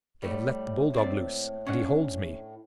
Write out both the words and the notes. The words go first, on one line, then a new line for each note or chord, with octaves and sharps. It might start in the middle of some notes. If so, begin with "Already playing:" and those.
"They have let the bull-dog loose, and he holds me!"
A2 G3 A3
A#3 C4 D5
C#4 D4 F#5